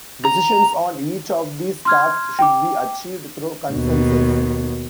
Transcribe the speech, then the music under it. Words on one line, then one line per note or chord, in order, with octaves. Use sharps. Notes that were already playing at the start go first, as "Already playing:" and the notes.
Decisions on each of these tasks should be achieved through consensus.
A#5
C6 F6 G#6
G5 D6
D#2 B2